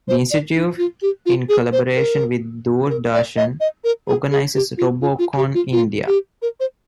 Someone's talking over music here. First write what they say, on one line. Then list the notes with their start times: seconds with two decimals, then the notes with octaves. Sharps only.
The institute, in collaboration with Doordarshan, organizes Robocon India.
0.08 C5
0.31 D5
0.55 D#4
0.78 F4
1.02 G4
1.26 F4
1.49 G#4
1.72 C5
1.96 A#4
2.90 A#4
3.14 D5
3.37 D#5
3.60 D#5
3.84 A#4
4.08 G#4
4.31 G#4
4.55 G4
4.78 F4
5.01 F4
5.19 F4
5.37 G4
5.54 F4
5.72 F4
6.07 G4
6.42 A#4
6.60 C5